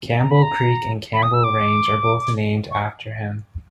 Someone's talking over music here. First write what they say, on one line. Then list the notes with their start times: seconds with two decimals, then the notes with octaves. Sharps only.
Campbell Creek and Campbell Range are both named after him.
0.18 A#5
0.31 B5
0.42 A#5
1.13 B5
1.23 D#6
1.34 E6
1.44 D6
2.71 C#6